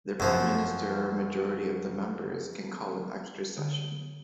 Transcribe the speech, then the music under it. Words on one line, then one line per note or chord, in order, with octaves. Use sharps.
The Prime Minister or a majority of the members can call an extra session.
F#2 F3
D3